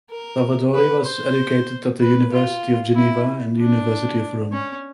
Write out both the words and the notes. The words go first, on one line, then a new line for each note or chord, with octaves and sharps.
Salvadori was educated at the University of Geneva and the University of Rome.
A#4
B4
C5
B4
F4
E4
D4
C#4